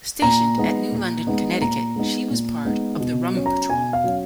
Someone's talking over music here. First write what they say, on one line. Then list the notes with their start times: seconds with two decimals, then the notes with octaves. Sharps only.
Stationed at New London, Connecticut, she was part of the Rum Patrol.
0.22 A#2 A#5
0.58 G#3 B3 D#4
0.91 A#2
1.27 G#3 B3 D#4
1.61 A#2 A#5
1.96 G#3 B3 D#4
2.30 A#2
2.65 G#3 B3 D#4
3.00 B2
3.34 F#3 C#4
3.46 A#5
3.70 B2 G#5
3.93 F5
4.04 F#3 C#4